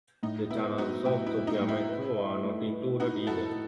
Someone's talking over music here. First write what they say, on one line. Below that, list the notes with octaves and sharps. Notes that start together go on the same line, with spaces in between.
The tunnels of the Sofia Metro are not included either.
A2 D#4
B3 E4
F#3 D#4 F#4
A2 E4 G4
E4
A2
D#4
A2
E4
B4
D#5
A3
B4
D#4 E4 F#4
E4 F#4 A4